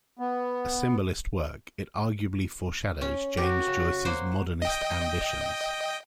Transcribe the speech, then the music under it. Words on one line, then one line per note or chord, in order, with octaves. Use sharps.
A Symbolist work, it arguably foreshadows James Joyce's Modernist ambitions.
B3
C#4
F#4 G4 A#4
C#3
A#3 F#4 C5
D#5 G5